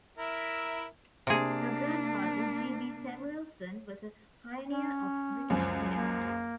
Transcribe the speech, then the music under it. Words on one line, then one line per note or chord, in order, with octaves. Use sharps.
Her grandfather, G. B. Samuelson, was a pioneer of British cinema.
E4 A#4 E5
C3 A#3 D4 G#4
C#4
C#2 F#2 F3
A#3